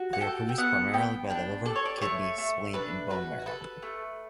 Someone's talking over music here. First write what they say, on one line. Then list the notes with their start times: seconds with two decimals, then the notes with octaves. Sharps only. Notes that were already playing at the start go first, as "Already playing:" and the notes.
They are produced primarily by the liver, kidney, spleen, and bone marrow.
Already playing: F#4
0.13 F#5
0.21 A4 G5
0.49 G5
0.58 B3 F#5
0.93 B3 G5
1.30 D4 G5
1.65 A4 D5
1.76 C#5
1.85 D5
1.98 B4
2.02 A3 C#5
2.38 A3
2.74 D4 B4
3.10 F#4 B4
3.46 A4 B4
3.83 A3